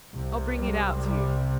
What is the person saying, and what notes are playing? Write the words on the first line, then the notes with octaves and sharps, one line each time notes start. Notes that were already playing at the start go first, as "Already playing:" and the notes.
I'll bring it out to you.
C2 C3
G3
G3